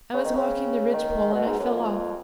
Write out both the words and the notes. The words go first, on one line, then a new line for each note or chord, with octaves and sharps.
I was walking the ridgepole and I fell off.
C#3
D#3
C#3
D#3
B2
G#2
F#2
F2